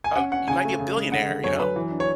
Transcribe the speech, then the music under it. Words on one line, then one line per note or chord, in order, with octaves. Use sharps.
uh, you might be a billionaire, you know?
G#5
C#4 F#5
C#4 F#5
C#3 G#5
A3
C#3
G#3
D3 F#5
D3
F#2 C#5
F#2 B4
E3
D4
C#5